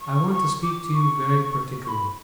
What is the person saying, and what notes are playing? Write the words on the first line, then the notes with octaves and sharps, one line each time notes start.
'I want to speak to you very particularly.
C#6
C#6
D6
C#6
C#6
B5